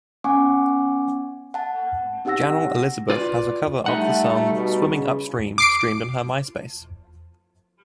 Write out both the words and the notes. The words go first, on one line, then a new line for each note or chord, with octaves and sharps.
Janel Elizabeth has a cover of the song "Swimming Upstream" streamed on her Myspace.
B3 C#4 F#5 G#5 C#6 D6
F#5 A5
C4 D#4 G4 F#5 E6 A#6
F4 B4 D5
G3 A3 D#4 F#5
B2
C#3
D6 C7 D7